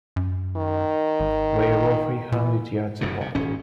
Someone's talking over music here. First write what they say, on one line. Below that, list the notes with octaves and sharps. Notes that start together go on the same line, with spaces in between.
They were three hundred yards apart.
F#2
D#3
G#1
A#2 E3
F1 F#2 A2 C#3
C3
D#1 G#1 C#4